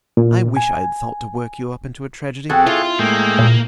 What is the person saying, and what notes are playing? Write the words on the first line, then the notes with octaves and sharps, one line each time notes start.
"I wish I had thought to work you up into a tragedy."
A#2
G#5
F2 F#4 G#4 A4
E4 F4
A2 G#3 A#3 G5
A#2